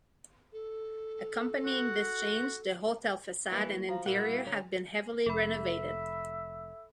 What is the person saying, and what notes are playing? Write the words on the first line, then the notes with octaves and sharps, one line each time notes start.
Accompanying this change, the hotel facade and interior have been heavily renovated.
A4
F#4
E3 G3 A#3 E4
F3 F#4 F5 A#5
A#2 G3 A#3 E4 F#5
D3 C#5 A#5
F1 A4 E5 B5